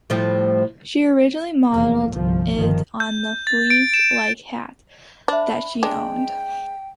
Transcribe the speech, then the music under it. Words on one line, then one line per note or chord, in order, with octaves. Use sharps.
She originally modeled it on a fez-like hat that she owned.
A2 F3 G3
F1 E2 A#3
G1 C2 F3
G1 D#3 F3
G6
A6
D7
E7
D4 C5 E5 B5
G#3 D4 G5